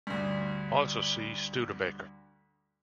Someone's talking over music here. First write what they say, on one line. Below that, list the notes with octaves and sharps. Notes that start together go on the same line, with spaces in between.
Also see Studebaker.
D2 G2